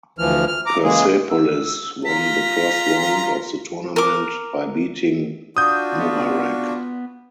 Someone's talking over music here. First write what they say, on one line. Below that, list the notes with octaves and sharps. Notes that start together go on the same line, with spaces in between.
Persepolis won the first round of the tournament by beating Muharraq.
D2 E3 F3 F6
F6
A#5 D6
C#3 E3 G#3 A#3 G#4
E6
F4 A#5 B6
A#4 D6
D4 F4 F#4 D#6 G6
B3